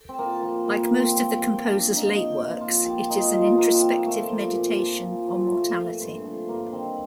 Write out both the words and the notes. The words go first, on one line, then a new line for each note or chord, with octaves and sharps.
Like most of the composer's late works, it is an introspective meditation on mortality.
C4
A#2 A#3
F3 A#3
A#2 A#3
A#3
F3
C4
A#2
F3
A#2 D4
D4
F3
D#4
A#2
F3
A#2 F4
F3 G4
A#2 D#4
F4
F3
D#4
A#2 A#3
C4
F3
A#3
A#2 A3
F3 A#3
A#2
F3
A#2
F3
A#2 A3
F3
G2
D3 F3
G2 A#3
D#3 C4